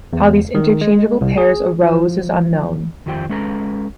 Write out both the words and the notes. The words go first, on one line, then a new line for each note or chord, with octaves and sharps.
How these interchangeable pairs arose is unknown.
E2
D#3
G#3
C2
G#4
F3
F2 D#3 F4 G4 C5 G5
G#3 C#4 A4 B4 A5 A#5